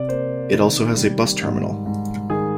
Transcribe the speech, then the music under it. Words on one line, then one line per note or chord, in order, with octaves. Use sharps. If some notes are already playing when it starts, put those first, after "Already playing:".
It also has a bus terminal.
Already playing: C3 D5
A#3 C5
D#3
G3
G#2
G#2
D#3 G#4